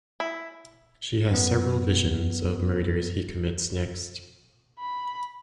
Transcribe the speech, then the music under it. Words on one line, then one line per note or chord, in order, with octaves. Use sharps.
She has several visions of murders he commits next.
E4
F#2 B3
B5